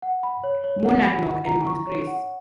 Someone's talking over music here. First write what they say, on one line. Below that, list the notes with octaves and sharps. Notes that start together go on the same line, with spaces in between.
Monadnock and Mount Grace.
F#5
B5
C#5
C#5
F#5
B5
F#5
A#5
C#6
C#5
F#5